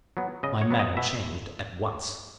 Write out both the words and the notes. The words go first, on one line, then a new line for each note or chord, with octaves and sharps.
My manner changed at once.
F#3 B3
C#3 D#5
C#5
F#3 B3
D#5
B2 E5